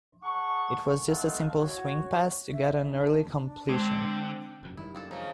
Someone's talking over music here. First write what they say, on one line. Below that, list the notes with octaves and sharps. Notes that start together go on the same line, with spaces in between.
It was just a simple swing pass to get an early completion.
G#4 F#5 A5 C#6
A3 C4 D#4 A4 F5 F#5
F#4 C#5
E5
D4
D3 G#3 C4
F1 F#2
F#2 D#3 G3 E4
A#3 D4 A4
C#3 F3 A#3 D#4